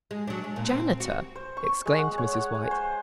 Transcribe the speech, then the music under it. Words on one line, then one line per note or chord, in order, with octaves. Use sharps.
"Janitor!" exclaimed Mrs. White.
G#3
F#3 D4
G#3
A#2
C4
F#4
C5
C#6
G#3
F#5
C#5
F#5
G#5
C5